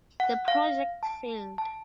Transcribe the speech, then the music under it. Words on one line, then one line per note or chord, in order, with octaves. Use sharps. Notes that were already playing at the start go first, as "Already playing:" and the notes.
The project failed.
F#5
F5
A5
A5